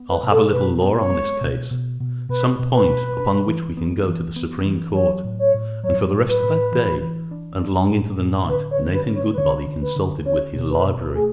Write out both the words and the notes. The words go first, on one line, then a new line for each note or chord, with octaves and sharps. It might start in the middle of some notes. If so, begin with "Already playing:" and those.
"I'll have a little law on this case,--some point upon which we can go to the Supreme Court," and for the rest of that day and long into the night Nathan Goodbody consulted with his library.
Already playing: B3
B4
B2
A4
B2 B4
B3
C#5
G#3
B2
B2
B2
B2 B4
B2
B4
B2
D4
E3
B3
E3
B3
E3
F#3 C#5
A2
C#5
A2
F#3 C#5
A2
B4
A2
E3
E3
D4
D4
A2
A2
D3 B4
C#5
D3
B4
C#4
C#5
B4
D3 C#5
D3
B4
D3
C#4 C#5
B2
B4
B2
A3 G#4